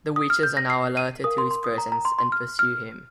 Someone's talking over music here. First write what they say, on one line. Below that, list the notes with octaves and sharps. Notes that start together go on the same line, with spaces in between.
The witches are now alerted to his presence and pursue him.
D#6
F6
G6
A#6
C7
D#7
A#4 F5 D#6
C6
C6
D#6
A#5
A#5
C6
C6
F6
F6